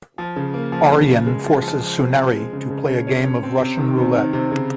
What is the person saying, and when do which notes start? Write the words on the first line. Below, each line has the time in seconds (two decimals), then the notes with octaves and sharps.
Aryan forces Sunehri to play a game of Russian roulette.
0.18 F3
0.36 C#3
0.54 A#3
0.72 F3
0.90 C#3
1.08 C#3
1.27 G#3
1.44 F3
1.62 F3
1.80 F3
1.99 C4
2.16 F3
2.35 G#3
2.53 C#3
2.70 C#3
2.89 C#4
3.07 C#4
3.24 C#4
3.43 C4
3.61 C3
3.79 D#3
3.97 C3
4.15 D#3
4.33 C3
4.51 C#3